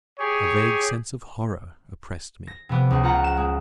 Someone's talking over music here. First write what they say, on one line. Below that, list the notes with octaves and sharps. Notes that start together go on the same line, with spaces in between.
A vague sense of horror oppressed me.
G4 G#4 C#5 G#5
A#6
C3 F3 B3 D6
C#2
F4 F#5 A#5
E7
G#3